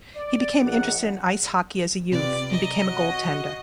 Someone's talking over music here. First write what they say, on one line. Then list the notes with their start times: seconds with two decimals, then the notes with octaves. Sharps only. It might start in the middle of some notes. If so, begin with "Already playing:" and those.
He became interested in ice hockey as a youth and became a goaltender.
0.16 D5
0.62 A#1 F#5
2.12 C3 F4 G4 B4 D5
2.52 D#5 A#5
2.87 F#4 C#5 F#5